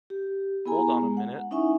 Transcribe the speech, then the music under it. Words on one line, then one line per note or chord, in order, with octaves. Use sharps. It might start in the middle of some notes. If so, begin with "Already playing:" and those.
Hold on a minute!
G4
B3 E4 G#4 G#5 A#5
G#3
F#5
C#4 D#4 E4 E5 G#5 C#6